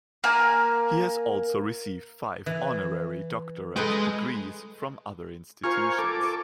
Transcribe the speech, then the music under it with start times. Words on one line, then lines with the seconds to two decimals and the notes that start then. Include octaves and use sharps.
He has also received five honorary Doctorate degrees from other institutions.
0.24 A#3 A#4 G#5
2.46 E3
3.76 G#3 A4 B4 D#5 G5
5.64 F4 A#4 C5 G#5 C#6 F6
5.99 A4 A#4 D6
6.22 D#5 C#6